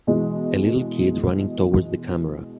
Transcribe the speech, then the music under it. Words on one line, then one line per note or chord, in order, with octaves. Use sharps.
A little kid running towards the camera.
B2 E3 G#3